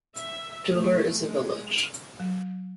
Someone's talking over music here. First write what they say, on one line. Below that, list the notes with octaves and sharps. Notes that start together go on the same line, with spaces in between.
Duler is a village.
E5
A3
G#3
F#3